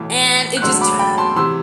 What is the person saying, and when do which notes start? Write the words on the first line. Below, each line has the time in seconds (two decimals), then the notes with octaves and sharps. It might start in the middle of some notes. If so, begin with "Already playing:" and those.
and it just turned
Already playing: B1 A2 E3
0.57 F#6
0.62 E1 D2 D3 F#3 C6 E6
0.81 B5 D6
0.99 G5 B5
1.18 A5 C6
1.36 C3 E3 C6 E6